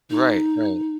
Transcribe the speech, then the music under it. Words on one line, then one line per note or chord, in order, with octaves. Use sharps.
Right. Right.
D#4